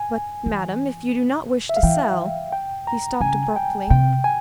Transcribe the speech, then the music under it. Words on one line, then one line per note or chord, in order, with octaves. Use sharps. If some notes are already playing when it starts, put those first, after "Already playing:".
"But, madam, if you do not wish to sell--" He stopped abruptly.
Already playing: G#5
E3
E5
F5
E3 G5
G5
A#5
C#3 G#5
G5
C3 G5
G#5